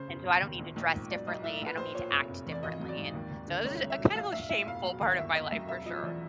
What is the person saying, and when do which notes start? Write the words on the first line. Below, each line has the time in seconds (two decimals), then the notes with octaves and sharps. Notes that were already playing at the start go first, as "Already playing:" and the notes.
and, so, I don't need to dress differently, I don't need to act differently, and, so this is a kind of a shameful part of my life for sure.
Already playing: C#3 C5
0.08 E1
0.24 E1
0.42 D#2
0.59 A#1
0.76 A#1
0.93 G#2
1.10 B1 D5
1.27 B1 D#5
1.44 A2 E5
1.62 A#1 B4
1.77 A#1 C5
1.95 A#2 C#5
2.11 F1
2.29 F1
2.47 E2
2.52 D5
2.63 G#1 D#5
2.80 F#3
2.88 D5
2.97 G#2
3.13 D#2
3.31 D#2
3.48 D3
3.64 C2 C#5
3.82 C2
3.90 E5
3.99 B2
4.15 A#1 F5
4.32 A#1 E5
4.49 A2 E5
4.67 E1 F5
4.83 F#3 F5
5.01 D#2 F5
5.18 G1 E5
5.35 G1 D#5
5.52 F#2 E5
5.69 E1 E5
5.86 F3 D#5
6.03 E2 D5